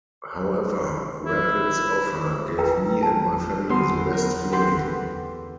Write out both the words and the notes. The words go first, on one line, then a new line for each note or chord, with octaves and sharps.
However, Rapid's offer gave me and my family the best feeling.
E4
F4 A#4 B4 G5 A#5
A5
E2 D3 B3 C6
A#4
G4 A4 B4 F#5 C6